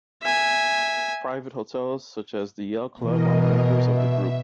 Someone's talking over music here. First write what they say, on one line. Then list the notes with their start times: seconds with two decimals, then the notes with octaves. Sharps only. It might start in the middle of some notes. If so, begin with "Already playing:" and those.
Private hotels, such as the Yale Club, are members of the group.
0.22 E5 G#5
3.02 B2 E3 A#4 D#5
3.87 E5